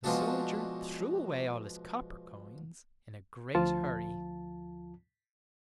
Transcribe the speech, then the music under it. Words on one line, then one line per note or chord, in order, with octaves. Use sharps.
The soldier threw away all his copper coins in a great hurry.
B2 F3 G#3 D4 F#4 A4
D2 F3 F4 A5